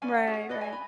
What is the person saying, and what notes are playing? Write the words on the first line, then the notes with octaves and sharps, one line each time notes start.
Right, right.
C#4 D5 F5 G#5
F#5
C#4 G#4 C#5
B4 D5 D#5 B5
E5 G#5
B5